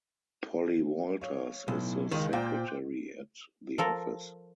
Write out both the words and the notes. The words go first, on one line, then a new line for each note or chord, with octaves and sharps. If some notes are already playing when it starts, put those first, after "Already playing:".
Polly Walters is the secretary at the office.
C#5 F5
B1 A2
C#2 D#3 G#3 D#5
A#2 C5 D5 G5
F3 A4 A#4